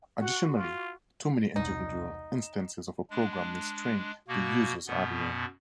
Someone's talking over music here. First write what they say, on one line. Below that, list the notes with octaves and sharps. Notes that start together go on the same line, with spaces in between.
Additionally, too many individual instances of a program may strain the user's hardware.
F#4 F#5
F4
E1 C2 D#4
E7
G#3 D4
B2 A#3 F#4
F#2 B2 B3